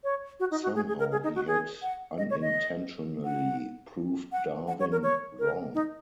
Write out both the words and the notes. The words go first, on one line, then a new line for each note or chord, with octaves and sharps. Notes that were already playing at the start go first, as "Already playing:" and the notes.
Somehow he had unintentionally proved Darwin wrong.
C#5
F#4
D#4
F#4
G#4
G#4
A#4
G#4
D#4
F#4
G#4
F#5
D#5
C#5
D#5
F#5
F#5
F#5
C#5
A#4
C#5
A#4
D#4